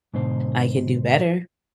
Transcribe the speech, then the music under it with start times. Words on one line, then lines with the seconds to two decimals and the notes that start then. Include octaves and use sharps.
I can do better,
0.14 G#2 B2 D3 C5